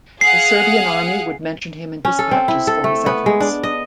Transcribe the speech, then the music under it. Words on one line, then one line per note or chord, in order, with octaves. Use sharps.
The Serbian Army would mention him in dispatches for his efforts.
G#4 F5 F#5 C7
C#4
A4
C4
E4
A4
A3
B3
G#3
D4
D#5